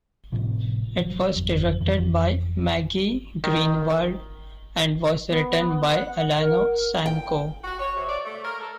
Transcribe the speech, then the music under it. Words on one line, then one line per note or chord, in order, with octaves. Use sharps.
It was directed by Maggie Greenwald and was written by Alana Sanko.
A2 C3 F3
F3 F#3
G1 F2
F2 E3 F3
D#3
B3
F#5
A#4
G5
F#4
C#5
C3
D5
A3
A#4
A4